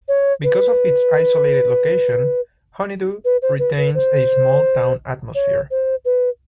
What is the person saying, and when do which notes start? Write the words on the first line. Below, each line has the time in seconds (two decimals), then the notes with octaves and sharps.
Because of its isolated location, Honeydew retains a small town atmosphere.
0.08 C#5
0.44 B4
3.25 B4
3.42 C5
3.59 B4
3.77 B4
3.94 C5
5.35 C#5
5.71 C5
6.05 B4